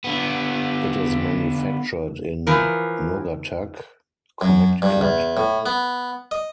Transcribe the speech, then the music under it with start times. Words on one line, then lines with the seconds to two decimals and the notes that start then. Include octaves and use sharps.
It is manufactured in Naugatuck, Connecticut.
0.04 D3 B3
2.47 E3 F3 A#4
4.41 F#2
4.82 G2
5.01 E2
5.37 A2
5.66 B3
6.31 D#5